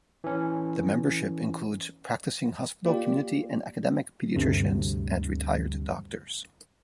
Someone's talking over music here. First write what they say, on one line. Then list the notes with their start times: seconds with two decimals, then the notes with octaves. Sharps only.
The membership includes practicing hospital, community and academic paediatricians and retired doctors.
0.24 E3 C#4
2.85 A#3 F4 G4 D5
4.36 D2 G2 C3